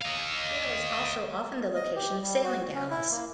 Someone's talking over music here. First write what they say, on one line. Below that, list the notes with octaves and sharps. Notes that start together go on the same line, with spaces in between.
Dale is also often the location of sailing galas.
D#5 F5
D#5
G4
G3
F#4
C#4
E4
A#3